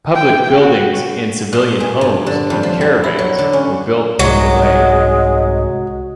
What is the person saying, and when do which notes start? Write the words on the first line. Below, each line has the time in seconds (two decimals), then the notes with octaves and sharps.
Public buildings and civilian homes and caravans were built on the land.
0.15 G5
0.61 F#4
1.53 A#2
1.80 G#4
2.01 G2
2.26 D3
2.50 F2
2.63 F3
2.81 G3
3.04 E4
3.19 F#3
3.39 D3
3.53 C#4
4.19 C2 G#2 F#3 G#3